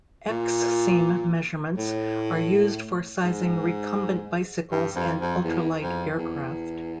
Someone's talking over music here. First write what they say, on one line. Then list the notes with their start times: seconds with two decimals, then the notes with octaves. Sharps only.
X-seam measurements are used for sizing recumbent bicycles and ultralight aircraft.
0.30 A#2
1.77 A2
3.24 G#2
4.71 G2
4.95 F2
5.20 F2
5.44 E2
5.81 F2
6.18 E2